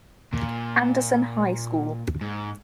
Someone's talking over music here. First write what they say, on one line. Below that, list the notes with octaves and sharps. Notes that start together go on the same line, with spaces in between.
Anderson High School.
A#2
G#2